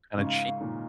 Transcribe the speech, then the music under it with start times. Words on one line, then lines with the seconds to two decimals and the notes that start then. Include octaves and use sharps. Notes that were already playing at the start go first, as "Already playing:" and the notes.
Kinda cheek.
0.17 G#2 C#3 A#3 F4 A#4 C#5
0.61 A#2 D#3